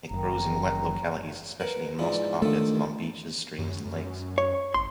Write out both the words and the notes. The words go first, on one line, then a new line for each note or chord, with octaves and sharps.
It grows in wet localities, especially in moss carpets along beaches, streams and lakes.
F#1 F#2 D#3 A#5
A#4 B4 F#5
G#2 E3 F3 D5
D#3 F3 A3 D4 A4
F#2
F#2
C#5
G#1 C6